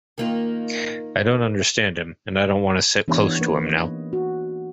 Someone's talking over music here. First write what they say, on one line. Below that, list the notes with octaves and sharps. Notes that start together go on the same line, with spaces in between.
I don't understand him, and I don't want to sit close to him now.
D#3 A#3 F4
E3 B3 D4 D#4 G4 C#5
A#3 B4
D#5
F#4